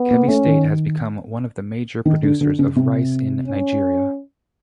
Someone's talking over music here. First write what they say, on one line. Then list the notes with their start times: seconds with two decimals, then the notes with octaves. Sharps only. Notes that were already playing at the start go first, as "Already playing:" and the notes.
Kebbi State has become one of the major producers of rice in Nigeria.
Already playing: B3
0.11 A#3
0.28 A3 C#4
0.46 D#3
2.05 D#3
2.23 D3
2.41 D3
2.59 C#3
2.76 C3
3.47 C#4